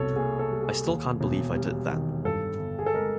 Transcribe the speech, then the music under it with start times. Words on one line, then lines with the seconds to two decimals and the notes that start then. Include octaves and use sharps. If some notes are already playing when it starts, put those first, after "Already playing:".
I still can't believe I did that.
Already playing: C2 B2 A4 C#5
0.16 A#3 G#4
0.39 A4
0.52 G3
0.63 G#4
0.86 D#2
1.21 E1
1.56 G3
1.90 D#3
2.24 G2 A4
2.59 G1
2.79 G#4
2.86 A4
2.94 G#3 A#4